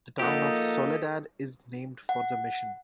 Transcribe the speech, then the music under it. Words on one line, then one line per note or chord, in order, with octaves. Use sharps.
The town of Soledad is named for the mission.
F3 A#3 D#4 G4 A4 D#5 F#5
F#5